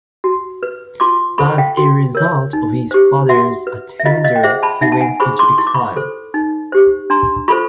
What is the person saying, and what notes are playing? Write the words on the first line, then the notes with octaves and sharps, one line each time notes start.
As a result of his father's attainder, he went into exile.
F#4
B4
F4 C6 D6
A4 C5 B5 C#6
F5 G5
F#4
A#4 C#5
D#4
G4 C5
F#4 E5 F#5
B4
E5
F4 D#5 F5
D#5 F5
G5
G#4 C5 E5 F#5
A5 B5
D#4 E5 F#5
A5
F#5 G#5
G#4 C5 B5 C#6
C6 D6
E4 C#6
D6
B5 C#6
A4 C5
D#4
G4 C5
D4 A#5 C6
F4 A4 C5 B5 C#6